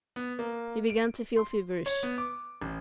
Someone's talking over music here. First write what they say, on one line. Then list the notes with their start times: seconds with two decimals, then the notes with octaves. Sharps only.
He began to feel feverish.
0.16 B3
0.39 A#3
0.90 D7
1.36 C6
1.86 C#5
2.03 B3
2.18 D6
2.62 A1